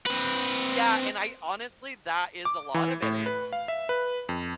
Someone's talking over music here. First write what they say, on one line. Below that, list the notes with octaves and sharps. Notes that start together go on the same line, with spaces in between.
Yeah, and I honestly, that is a lot of it, it's
C4 B4
D6
E3
A2
B4
F5
E5
B4
F2